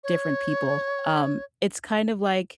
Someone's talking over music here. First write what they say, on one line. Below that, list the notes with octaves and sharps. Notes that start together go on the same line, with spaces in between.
different people, um, it's kind of, like
C#5